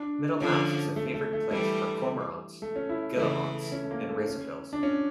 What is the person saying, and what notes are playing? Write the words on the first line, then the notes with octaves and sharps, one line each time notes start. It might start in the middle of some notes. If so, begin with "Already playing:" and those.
Middle Mouse is a favoured place for cormorants, guillemots and razorbills.
Already playing: D4
D3 F3 C#4
A3
A3
A3
E3 G3 A3
A3
C#4
E4
C#3 E3 A3
A3
C#4
A3
A#3
A3
C#4
D4
C#4